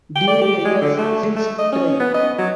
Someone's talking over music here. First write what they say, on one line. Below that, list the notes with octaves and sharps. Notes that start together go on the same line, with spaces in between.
During the years since Try!
G5
D5
G4
G#3
D3
A3
A3
D#5
C#4
B3
D#5
F#3